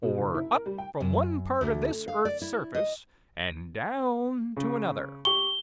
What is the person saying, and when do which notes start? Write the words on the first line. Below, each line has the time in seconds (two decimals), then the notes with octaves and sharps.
Or up from one part of this earth's surface and down to another.
0.03 B2
0.18 F#1
0.34 E4
0.52 A#4
0.66 G3
0.78 G5
1.00 F#2
1.61 D2
2.08 F5
2.25 D5
2.42 E4
2.75 D#5
4.57 C#3
5.25 G4 C#6 G7